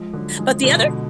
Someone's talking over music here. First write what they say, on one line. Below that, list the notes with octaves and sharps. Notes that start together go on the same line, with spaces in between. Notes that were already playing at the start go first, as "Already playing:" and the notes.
But the other
Already playing: F3 G#3
D3 F#3
F3 G#3
B2 D3